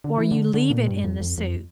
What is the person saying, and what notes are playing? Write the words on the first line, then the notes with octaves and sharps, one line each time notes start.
or you leave it in the soup
D3
E3
D3
D3
A#2
G2
F2
F2
F2